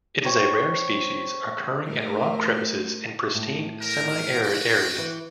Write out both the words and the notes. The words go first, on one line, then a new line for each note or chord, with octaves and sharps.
It is a rare species occurring in rock crevices in pristine semi-arid areas.
C5 C#5 G5
A2 A#4 C5
A2
A#4
F#4 G5
E3